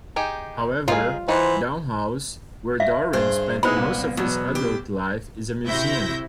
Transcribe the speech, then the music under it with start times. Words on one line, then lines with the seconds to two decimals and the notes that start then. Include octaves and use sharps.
However, Down House, where Darwin spent most of his adult life, is a museum.
0.16 D#4 G4 G#4
0.88 D#4 F4 G#4
1.28 E3 D#4 C5 F#5
2.80 E5 F5
3.13 G2 G#4 C5
3.63 B3 D#4 E4 G#4 C5 B5
3.76 C2 A#2
4.17 E2 B2 F#3 B3
4.55 G4
5.65 C3 E4 F#4 E5 G6 A#6